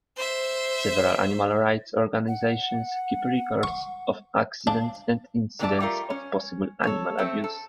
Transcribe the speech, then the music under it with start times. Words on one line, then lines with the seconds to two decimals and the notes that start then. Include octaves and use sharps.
Several animal rights organizations keep records of accidents and incidents of possible animal abuse.
0.17 C5 E5
2.28 F#5
3.63 C#6
4.67 D4 F5
5.59 D3 E3 C4 G#4 D5 A5
5.80 G3 A3 F4 A#4
6.10 C#4
6.84 A4 C#5
7.18 A3 C4 A4
7.44 A4